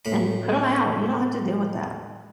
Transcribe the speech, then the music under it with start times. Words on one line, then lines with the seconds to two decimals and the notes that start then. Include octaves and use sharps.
An put 'em out, you don't have to deal with that.
0.05 A2 B5